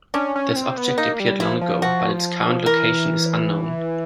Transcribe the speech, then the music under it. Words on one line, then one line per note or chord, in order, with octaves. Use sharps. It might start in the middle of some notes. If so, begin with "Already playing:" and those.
This object appeared long ago, but its current location is unknown.
C#4 D4
C#4
C4
B3
A#3 D#4
G3
F3 E4
F3
F3 F#4
E3 A#4